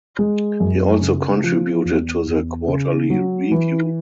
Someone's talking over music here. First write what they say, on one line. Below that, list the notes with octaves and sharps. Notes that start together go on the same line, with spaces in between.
He also contributed to the "Quarterly Review".
G#3
F#2
C#3
F3
E2
E2
C#3
F#3
E3